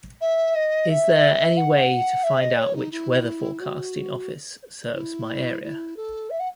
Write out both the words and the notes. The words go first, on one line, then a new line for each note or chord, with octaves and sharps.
Is there any way to find out which Weather Forecasting Office serves my area?
E5
D#5
E5
F#5
E5
D#5
C#5
D#4
E4
F#4
E4
E4
A4
E5
F#5